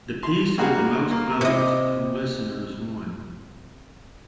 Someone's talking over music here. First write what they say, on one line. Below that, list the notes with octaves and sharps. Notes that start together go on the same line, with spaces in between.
The piece with the most votes from listeners won.
C6
G3 A#3 D4 F#4 G#4
A#3
C3 D#5